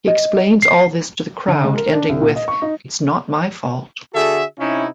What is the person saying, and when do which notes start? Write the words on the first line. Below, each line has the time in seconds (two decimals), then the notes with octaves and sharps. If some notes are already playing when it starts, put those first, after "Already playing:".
He explains all this to the crowd, ending with It's not my fault!
0.08 D#5
0.62 C7
1.48 D3
1.64 G#3
1.77 A#4
1.92 D4
2.09 C2
2.21 A#2
2.36 D#5
2.48 C#6
2.62 D#4
4.15 D3 F#4 G#4 A4 E5
4.59 C3 C#4 D#4 E4